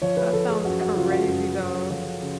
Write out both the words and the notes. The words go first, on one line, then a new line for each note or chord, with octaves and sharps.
That sounds crazy, though.
F3 C#5
B4
F3 A4
G#4
F#2 F#4
F#4
C#3 F4
F#4
F#2
F#2
F3
C#3